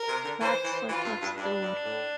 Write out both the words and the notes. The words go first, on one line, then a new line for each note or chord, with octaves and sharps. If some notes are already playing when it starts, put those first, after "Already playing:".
What sort of story?
Already playing: A#4
C3
D3
E3 C5
E3
E3 F4
G2
G2
G2 D4
G2
A2